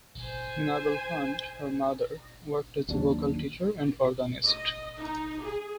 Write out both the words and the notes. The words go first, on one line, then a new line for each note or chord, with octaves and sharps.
Minabel Hunt, her mother, worked as a vocal teacher and organist.
C5 G#5
D#2 F#3 D4
D#5
D#4
G#4